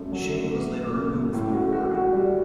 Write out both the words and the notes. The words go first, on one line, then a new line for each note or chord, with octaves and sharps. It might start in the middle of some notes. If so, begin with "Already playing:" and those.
Shaikh was later removed from the board.
Already playing: F#2 A3
F#3
A3
A3
A3
C#3
F#2
A2
F#4
F#4
F#4
G3